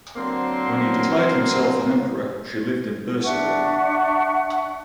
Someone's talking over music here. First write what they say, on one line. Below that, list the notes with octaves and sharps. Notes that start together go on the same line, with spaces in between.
When he declared himself an emperor she lived in Bursa with him.
D3 F#3 A#3 C4 A#4 C5
D4 E5 F#5 C#6